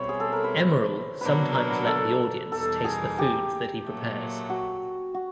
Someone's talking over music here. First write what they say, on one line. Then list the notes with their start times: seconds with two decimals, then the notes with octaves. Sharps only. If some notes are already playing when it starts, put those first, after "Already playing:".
Emeril sometimes let the audience taste the food that he prepares.
Already playing: B2 G3 C4 E4 C#5
0.09 G#4
0.20 A4
0.32 A#4
0.44 B4
0.56 C5
1.21 B2 F#3 A#3 D4 B4
1.55 A#4
1.87 A4
2.52 E2 B2 G3 A#3 D#4 A4
2.85 G#4
3.19 G4
3.84 A#2 F#3 A3
4.50 F#4
5.14 F#4